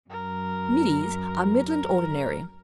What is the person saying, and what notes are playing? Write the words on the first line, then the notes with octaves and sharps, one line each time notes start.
Middies are Midland Ordinary.
F#2 A#4
A#4